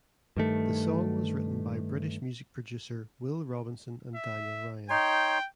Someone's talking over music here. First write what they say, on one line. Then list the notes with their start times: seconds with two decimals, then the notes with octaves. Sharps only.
The song was written by British music producer Will Robinson and Daniel Ryan.
0.37 G2 D#3 A3
4.16 E5
4.90 D#4 C#5 G5 C6